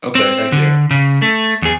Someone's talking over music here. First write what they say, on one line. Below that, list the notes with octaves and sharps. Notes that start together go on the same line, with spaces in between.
Okay, heck yeah.
C4
D3
C#3
A3
E2 G#4